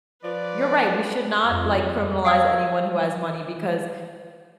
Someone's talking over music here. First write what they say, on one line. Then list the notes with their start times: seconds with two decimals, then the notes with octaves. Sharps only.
you're right, we should not like criminalize anyone who has money, because
0.22 F3 B4 D5
1.46 F2
2.25 F5 G5 D#6 E6 G#6